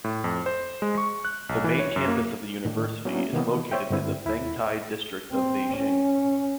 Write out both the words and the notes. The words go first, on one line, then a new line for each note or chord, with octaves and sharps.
The main campus of the university is located in the Fengtai District of Beijing.
A2
F2
C5
G#3
C#6
F#6
B1
E3
C#5
F#2
A#3
A2 D#3 D4
F#3 A#3 B3 C#4 D4 E4
C3 D#3 E3 A#3 B3
C5 C#5 E5 G5
G2 D3 C4 E4
D#2 E4 B5
C4
C#4